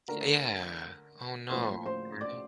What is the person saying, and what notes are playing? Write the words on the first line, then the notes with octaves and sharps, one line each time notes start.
Yeah. Oh, no, really?
D3 A3 A#4 A#5
A2 F3 A#3 C5 C6
C5 C6
D5 D6